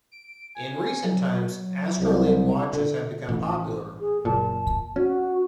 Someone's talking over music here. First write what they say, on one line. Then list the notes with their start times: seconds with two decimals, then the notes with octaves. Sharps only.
In recent times, astrolabe watches have become popular.
0.11 D7
0.55 G#5
1.04 F#3
2.00 C2
2.73 D3
3.29 A1
4.00 G#4
4.25 F#1 A#2 A5
4.96 C#4 F#4